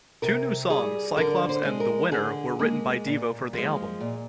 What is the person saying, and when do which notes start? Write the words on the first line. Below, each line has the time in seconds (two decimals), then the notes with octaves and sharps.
Two new songs, "Cyclops" and "The Winner", were written by Devo for the album.
0.22 C3 A#4
0.70 G3 G#4
1.17 D3 A#4
1.49 C5
1.65 G#3
1.80 A#4
2.11 D3 G#4
2.59 G#3 A#3
3.07 A#2
3.53 F3 G#3
4.01 A#2